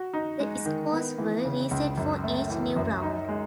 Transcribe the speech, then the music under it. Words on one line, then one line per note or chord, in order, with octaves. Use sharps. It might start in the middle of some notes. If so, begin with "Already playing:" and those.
The scores were reset for each new round.
Already playing: F#4
D#4
G#3
D#3
B3
E3
C#3
C#2
F#2
A3
E3
F#2
D#4
G#3